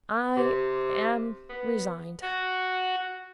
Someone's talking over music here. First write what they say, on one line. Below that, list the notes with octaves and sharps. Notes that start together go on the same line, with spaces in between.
I am resigned.
C3
B3
F#4